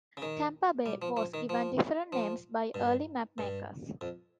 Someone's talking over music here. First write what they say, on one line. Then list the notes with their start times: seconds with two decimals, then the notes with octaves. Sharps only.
Tampa Bay was given different names by early mapmakers.
0.17 C#3
0.22 D#3
0.86 G3
1.02 F3
1.17 F3
1.34 D#3
1.49 F3
2.12 F3
2.74 G2
3.38 G2
4.01 F2